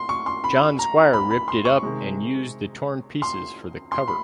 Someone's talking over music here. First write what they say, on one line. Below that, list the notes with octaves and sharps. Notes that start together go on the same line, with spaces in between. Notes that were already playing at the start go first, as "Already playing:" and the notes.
John Squire ripped it up and used the torn pieces for the cover.
Already playing: C6
C#6
C6
B5
A#5
B5
B5
C6
C#6
C3 D#3 G#3
C6
C6
B5